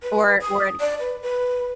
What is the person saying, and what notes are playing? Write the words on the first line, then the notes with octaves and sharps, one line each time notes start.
or or
B4
D#6
D5
B4
B4